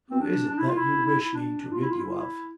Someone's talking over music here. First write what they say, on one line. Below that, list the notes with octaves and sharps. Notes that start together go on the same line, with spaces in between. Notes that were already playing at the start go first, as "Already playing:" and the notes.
Who is it that you wish me to rid you of?'
C4
D4
D4
E4
F4
E4
E4
E4
D4
D4
F4
E4
F4
E4
F4
E4